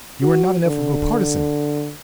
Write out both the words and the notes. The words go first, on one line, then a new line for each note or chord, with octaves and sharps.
You are not enough of a partisan.
F#4
D3